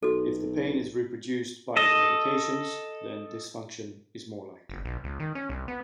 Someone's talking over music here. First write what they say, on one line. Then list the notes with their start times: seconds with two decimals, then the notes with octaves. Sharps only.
If the pain is reproduced by the medications, then dysfunction is more likely.
0.03 B1 F#4 A4
1.77 A4 D#5
4.69 F#1
4.85 B1
5.04 C#2
5.20 D#3
5.35 C#4
5.49 C2
5.68 B3